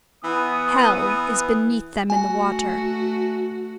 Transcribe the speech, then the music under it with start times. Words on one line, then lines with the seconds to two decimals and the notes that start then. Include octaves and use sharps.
Hell is beneath them in the water!
0.24 E3 B3 D#6
2.10 A3 F#4 G#5